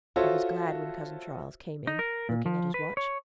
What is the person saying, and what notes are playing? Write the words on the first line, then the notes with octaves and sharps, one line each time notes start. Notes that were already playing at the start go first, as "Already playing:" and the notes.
I was glad when Cousin Charles came in, looking at his watch.
F4 F#4 A4 C5 C#5 E5
D#4
A#4
A#2
F3
B4
C#5